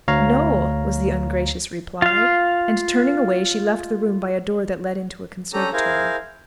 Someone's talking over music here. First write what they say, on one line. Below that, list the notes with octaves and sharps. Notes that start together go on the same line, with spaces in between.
"No," was the ungracious reply; and turning away, she left the room by a door that led into a conservatory.
D2 C#5 F5 A#5
F4 F5
C#4 D4 G4 A4 A#5
E4 G#4 A#4 C5 F5